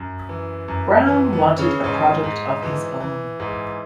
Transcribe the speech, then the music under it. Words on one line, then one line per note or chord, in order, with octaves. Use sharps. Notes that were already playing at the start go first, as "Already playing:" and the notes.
Brown wanted a product of his own.
Already playing: F#2
E3
F#2
E3 B3
B3
E3
C#3 C#4
G#2
G#2
E3
E3
G#2